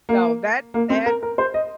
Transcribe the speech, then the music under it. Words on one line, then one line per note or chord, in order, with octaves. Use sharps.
So that that,
A#3
A#3
C4
A#4
A#4
C5
D#5